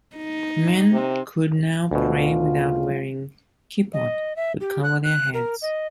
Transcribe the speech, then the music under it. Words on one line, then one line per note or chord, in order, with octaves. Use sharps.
Men could now pray without wearing kippot to cover their heads.
D#4
C3
D2 B2 F4
D#5
E5
G4
F#6
F#6
A#4
D#5